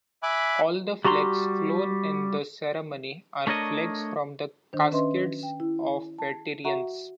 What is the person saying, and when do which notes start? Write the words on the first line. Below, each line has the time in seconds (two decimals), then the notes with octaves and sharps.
All the flags flown in the ceremony are flags from the caskets of veterans.
0.23 E5 G#5 B5 D6 F#6
1.05 G3 F#4 G4 A#5 C6
3.47 A3 D4 A#4 C#5 D#5
4.73 D#3 D4 C5
4.92 C#4 B4 D#5 E5 C6
5.43 G5
5.60 E4
6.19 A5
6.64 F#4 E5 F#5 A#5 C#6